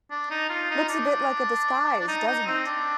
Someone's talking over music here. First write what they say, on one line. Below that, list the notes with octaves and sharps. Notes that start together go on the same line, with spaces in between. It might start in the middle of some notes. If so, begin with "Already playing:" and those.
Looks a bit like a disguise, doesn't it?
D4
D#4
F4
D#4
D4
D4
D#4
D#4
C4
D4